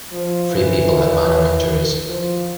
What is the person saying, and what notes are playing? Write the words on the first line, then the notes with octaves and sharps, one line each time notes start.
Three people had minor injuries.
F3
E3
F3